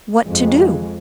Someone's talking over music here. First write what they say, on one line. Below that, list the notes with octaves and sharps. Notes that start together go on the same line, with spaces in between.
"What to do?"
F2 G#3